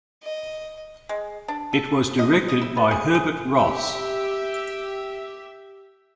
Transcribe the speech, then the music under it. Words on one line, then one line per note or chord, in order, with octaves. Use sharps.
It was directed by Herbert Ross.
D#5
G#3
D4
A4
D#5
D#5
E4
B3
G#4
G#4
G4 E5